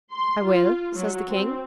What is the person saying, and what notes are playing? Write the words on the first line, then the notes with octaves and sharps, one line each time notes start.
"I will," says the king.
C6
F4
F#3
C4